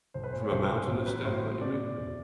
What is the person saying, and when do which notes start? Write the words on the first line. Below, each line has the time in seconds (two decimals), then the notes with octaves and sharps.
From a mountainous standpoint, you mean?
0.14 B1 C5
0.24 B4
0.33 A#2 C5
0.42 C#5
0.51 B1 C5
0.70 A#2
0.88 A1 C5
1.06 F#3 B4
1.25 A2 C5
1.43 F#3
1.61 B2 D5
1.80 B2
1.98 E2